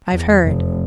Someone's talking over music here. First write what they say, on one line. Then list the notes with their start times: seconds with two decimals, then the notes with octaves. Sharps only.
"I've heard."
0.11 E2
0.45 F1